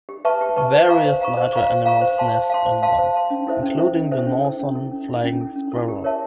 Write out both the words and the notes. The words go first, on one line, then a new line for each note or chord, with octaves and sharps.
Various larger animals nest in them, including the northern flying squirrel.
G4
B4 E5 A5 C#6
G4
B4 E5 A5 C#6
C5
F5 A#5 C#6
C5
F5 A#5 C#6
C5
F5 A#5 C#6
C5
F5 A#5 C#6
C5
F5 A5 C6
C5
F5 A5 C6
C5
F5 A5 C6
C5
F5 A5 C6
C#4
E4 A4 C5 E5
C#4
E4 A4 C5 E5
C#4
E4 A4 C5 E5
C#4
E4 A4 C5 E5
C#4
E4 A4
C#4
E4 A4
C#4
E4 A4
C#4
E4 A4
G4
A#4 C#5 E5 A5